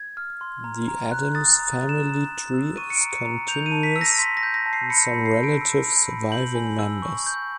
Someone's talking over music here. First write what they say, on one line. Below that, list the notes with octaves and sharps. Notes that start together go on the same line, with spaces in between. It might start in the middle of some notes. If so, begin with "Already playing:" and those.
The Adams family tree is continuous in some relative surviving members.
Already playing: G#6
F6
C6
A#5
A#5
F#6
D#6 A6
A#5
A#5
E7
A#5
A#5
E6
C#6 D#7
C#7
D7
A#5
C#7
A#5
G6 F7
D#7
A5
B6
E6
A#6
C6 B6
A#6
G6
A#6
A5
C7
B5 C#7
C#7
B5
C7
G6
D7
E6
B5
B5
G6 F#7
G#5
E6
C#6
G6